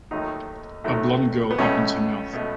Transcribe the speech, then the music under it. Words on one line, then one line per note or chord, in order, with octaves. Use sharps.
A blond girl opens her mouth.
D#2 D#3 F#3 A3 D#4
D#2 D#3 F#3 A3
B3
C#2 B2 A3 C#4
B2 A3